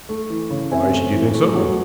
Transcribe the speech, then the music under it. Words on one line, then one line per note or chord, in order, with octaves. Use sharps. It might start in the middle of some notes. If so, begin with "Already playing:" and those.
"Why should you think so?"
A3
E3
C#3
C4 E5 G#5
A3
E3
A3
F#3